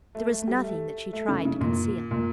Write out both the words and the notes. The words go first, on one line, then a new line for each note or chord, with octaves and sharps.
There was nothing that she tried to conceal.
A3
A3
G3
A3
A3
C#3
C#3
A#2
A#2